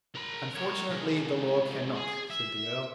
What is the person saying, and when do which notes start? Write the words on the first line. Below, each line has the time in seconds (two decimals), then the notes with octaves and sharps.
"Unfortunately the law can not," said the Earl.
0.15 A#4 B5
0.55 A#4 C#5
0.90 C3 G#3
1.94 G#4
2.30 E5